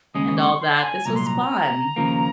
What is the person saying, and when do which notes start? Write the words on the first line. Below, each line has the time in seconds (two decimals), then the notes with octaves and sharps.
and all that, this was fun.
0.15 D#2 C#3 G#3 C#4 D#6
0.37 C#6
0.61 C6
0.83 G#5
1.05 C2 A#2 F#3 A#5
1.16 C6
1.26 A#5
1.96 D#2 C#3 F3 A#3